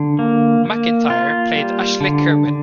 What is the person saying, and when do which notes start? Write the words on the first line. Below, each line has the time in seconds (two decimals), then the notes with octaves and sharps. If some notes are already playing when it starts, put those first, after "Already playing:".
McIntyre played Ashley Kerwin.
Already playing: D3
0.19 A#3
0.65 A#3
1.10 A#3 F4
1.56 G3
2.01 D3
2.47 D3